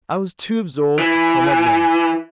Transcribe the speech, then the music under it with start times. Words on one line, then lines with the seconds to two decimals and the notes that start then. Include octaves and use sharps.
'I was too absorbed with Comrade Waller.
0.99 E3